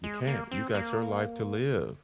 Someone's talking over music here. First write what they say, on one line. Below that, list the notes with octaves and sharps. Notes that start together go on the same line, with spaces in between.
You can't. You got your life to live.
G#3
A#3
C4
A#3